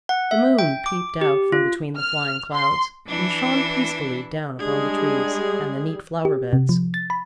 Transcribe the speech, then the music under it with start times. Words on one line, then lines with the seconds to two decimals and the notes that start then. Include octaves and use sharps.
The moon peeped out from between the flying clouds, and shone peacefully down upon the trees and the neat flower-beds.
0.09 F#5
0.31 E5
0.59 G5
0.86 D6
1.21 G4
1.52 F4
1.96 F6
2.52 C6
3.08 E3 D4 E4
4.59 G3 G#3 D4 G#4
6.25 G4
6.53 C3
6.69 F3
6.94 A6
7.10 B5